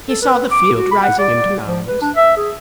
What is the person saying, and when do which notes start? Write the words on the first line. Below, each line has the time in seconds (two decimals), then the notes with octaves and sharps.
He saw the field rising into mounds.
0.08 A4
0.22 B4
0.51 D6
0.77 F#4
0.91 B5
1.03 F#5
1.19 D5
1.67 F3
1.88 B4
2.01 D4
2.16 E5
2.37 G#4